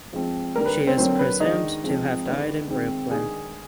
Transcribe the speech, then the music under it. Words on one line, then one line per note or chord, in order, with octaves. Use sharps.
She is presumed to have died in Brooklyn.
F3 G#3 C4
D3 G3 A#3 A#4
B4
C4 C5
D3 F#3 A#3 C4 C#4 C5
B4
D#3 G#3 B3 D4 D#4 D#5
F3 G#3 C4
D#3 G#3 B3 D4
D#3 G#3 C4
D#3 G#3 B3 D4 G#4 G#5